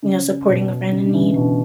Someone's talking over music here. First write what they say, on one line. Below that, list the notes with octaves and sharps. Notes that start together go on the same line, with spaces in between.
you know, supporting a friend in need?
C#3
B2
C#3
D3
C#3 E3
B2 D3